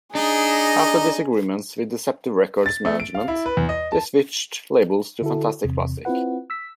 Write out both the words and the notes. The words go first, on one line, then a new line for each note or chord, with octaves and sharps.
After disagreements with Deceptive Records management, they switched labels to Fantastic Plastic.
D4 D#4 G#4 D#5
A6
A3
D7
F5
E4
B4
E2
D#5
A5
D3 E4 F#4 A4
E2 C3
C4 E4 F4 B4 F#5
E6 B6